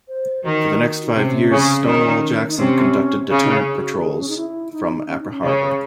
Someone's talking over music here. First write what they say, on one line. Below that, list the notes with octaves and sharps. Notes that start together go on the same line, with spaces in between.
For the next five years "Stonewall Jackson" conducted deterrent patrols from Apra Harbor.
C5
D#3 F#4
D#4
C3 C#4
C#3
D#3
D#4
C3 C#4
C#3 C#4
D#4
C#4
F#4
G#4
C#4
D#4
E4
D#4
C#4
D#4
C#4
C#3